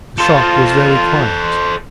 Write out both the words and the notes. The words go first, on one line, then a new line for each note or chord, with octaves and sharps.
The shop was very quiet.
F4 A4 C5